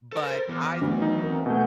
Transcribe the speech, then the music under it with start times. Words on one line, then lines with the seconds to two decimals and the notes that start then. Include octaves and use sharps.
But I
0.12 A4 A#4 C5 A6 A#6
0.48 E3 B3 D6 F6 A#6
0.81 D2 D#3 F#3
1.02 D#4
1.23 C4 A#4
1.46 B2 A3 F#5 G#5 G6